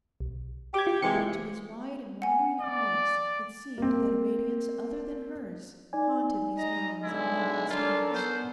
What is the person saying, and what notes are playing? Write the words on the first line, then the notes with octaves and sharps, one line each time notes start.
But to his wide and wandering eyes it seemed that a radiance other than hers haunted these mounds and leaning stones.
B1
G4 D6 G#6
F4
C3 E3 G#3 C#7
F#5 G#5
D5
A#3 C4
D#4 D5 G#5
D#5 A#5
B1 D3 G#3 E4
C#4 D4 F4 A4 A#4
B3 C5